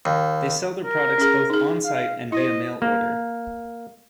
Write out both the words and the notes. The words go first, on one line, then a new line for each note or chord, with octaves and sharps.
They sell their products both on-site and via mail order.
D#2
A#4
C#4 G#4
D#4 G#4
F5
E4 C5 D#5
A#3